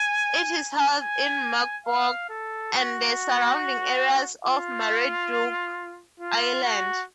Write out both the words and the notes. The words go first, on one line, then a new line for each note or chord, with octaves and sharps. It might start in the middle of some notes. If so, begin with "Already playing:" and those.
It is held in Mogpog and the surrounding areas of Marinduque island.
Already playing: G#5
G#5
F5
A4
F#4
F4
F4
F#4